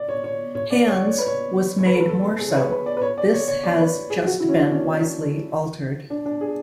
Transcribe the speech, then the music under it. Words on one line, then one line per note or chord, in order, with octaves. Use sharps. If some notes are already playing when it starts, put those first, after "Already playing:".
"Hands" was made more so; this has just been wisely altered.
Already playing: D5
C#5
C#5
C#5
D5
C#5
D5
C#5
B4
C#5
C#5
B4
A4
B4
A4
G#4
C#5
B4
B4
D5
B4
C#5
D5
C#5
C#5
D5
B4
G#4
F#4
E4
C#4
D4
C#4
D4
D4
G#4